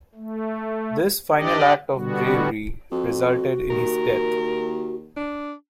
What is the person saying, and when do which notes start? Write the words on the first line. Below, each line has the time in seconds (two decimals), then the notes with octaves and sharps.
This final act of bravery resulted in his death.
0.15 A3
1.34 D4 G4 D5 D#5
1.94 B2 D3 G3 B3 F#4
2.91 F2 F#4
3.70 D#2 A#4
5.16 D4